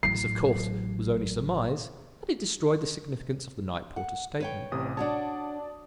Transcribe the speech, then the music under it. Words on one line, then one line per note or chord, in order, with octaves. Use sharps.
This, of course, was only surmise, but it destroyed the significance of the night porter's statement.
A1 F#3 C7
F#5
B4 C#5 G5
A1 C3 D#6
D4 F#4 C#5 D5 A5